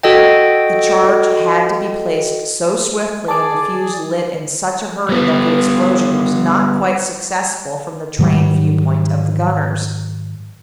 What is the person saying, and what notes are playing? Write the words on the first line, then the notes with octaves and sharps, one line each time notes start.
The charge had to be placed so swiftly and the fuse lit in such a hurry that the explosion was not quite successful from the trained viewpoint of the gunners.
F#4 A4 D#5 G5
G#4 D5 A5 D6
G3 B3
G#2 D#3 F#3 G3